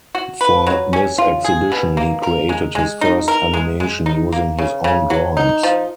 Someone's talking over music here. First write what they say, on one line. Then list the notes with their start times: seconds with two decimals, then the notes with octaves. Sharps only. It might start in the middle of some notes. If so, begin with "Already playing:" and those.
For this exhibition, he created his first animation using his own drawings.
0.15 F#4
0.41 B4
0.67 F#3
0.93 C#4
1.18 F4
1.45 G#4
1.72 B2
1.97 A#3
2.23 A#4
2.49 G#3
2.75 G#3
3.01 D#4
3.28 A#4
3.54 G#3
3.80 G#3
4.06 D#4
4.32 A#3
4.59 C#3
4.84 C#3
5.10 F#3
5.37 D#4
5.63 F3